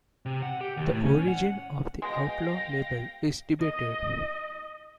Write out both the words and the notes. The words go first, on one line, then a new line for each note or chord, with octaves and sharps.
The origin of the outlaw label is debated.
C3
F#5
G4
D#2
A2
C#4
F#5
B2 G#3 F5 G5 A#6
D#5